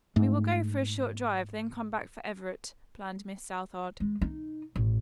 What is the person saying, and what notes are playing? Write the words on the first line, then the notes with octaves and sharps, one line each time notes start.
"We will go for a short drive, then come back for Everett," planned Miss Southard.
G#2 A3
G#3
D#4
A1